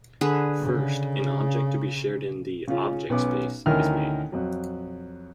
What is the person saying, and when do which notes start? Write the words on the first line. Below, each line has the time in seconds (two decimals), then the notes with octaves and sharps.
First, an object to be shared in the "Object Space" is made.
0.21 D3 G#4 B4
0.61 C#3
2.67 C#3 C#4 F4
3.09 B1 B3 C#4 D6
3.66 D2 D#3 C#4 E4 A#4 F6
4.32 F2 F#3